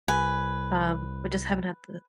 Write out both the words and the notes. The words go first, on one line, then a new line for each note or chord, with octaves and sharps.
um, we just haven't had the
C2 B4 G#5